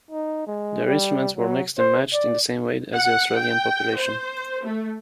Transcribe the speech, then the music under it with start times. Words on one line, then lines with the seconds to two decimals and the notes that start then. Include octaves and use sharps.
Their instruments were mixed and matched in the same way as the Australian population.
0.11 D#4
0.47 G#3
0.86 G3
1.37 F#3
1.78 C5
2.13 D5
2.93 F#5
3.38 G5
3.97 C5
4.63 A3